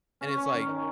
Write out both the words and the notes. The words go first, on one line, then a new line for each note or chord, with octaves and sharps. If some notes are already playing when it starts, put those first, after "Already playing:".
And it's like,
C#4
C#4
D#3
D#3